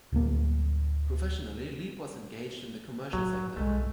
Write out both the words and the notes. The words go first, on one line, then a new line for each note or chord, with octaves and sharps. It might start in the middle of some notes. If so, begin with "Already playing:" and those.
Professionally, Leip was engaged in the commercial sector.
D1 A#3
A2 F#3
B1 G2 G#3 A3